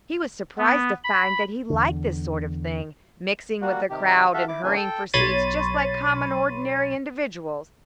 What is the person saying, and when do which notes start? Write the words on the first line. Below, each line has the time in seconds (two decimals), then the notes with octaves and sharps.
He was surprised to find that he liked this sort of thing, mixing with a crowd and hurrying for seats just like common ordinary individuals.
0.58 B3
1.04 B5
1.70 E2 D3
3.61 G3 A#3 F#4
3.90 C3 D#3 G4
4.34 F#4 A4 E5 F5
4.48 E4 D6
4.63 C#3 E3 A#3 C#4 D4 G#5
4.76 A4 G5
5.14 B1 C#5 B5 C6 A6 D#7